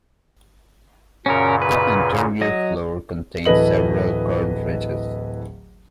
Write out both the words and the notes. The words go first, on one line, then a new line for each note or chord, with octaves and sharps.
The interior floor contains several curved ridges.
F#2 A#2 C#3 C#4 F#4 A#4
B4
F#3 D#5
D1 E3 A4 B4 D#5 F#7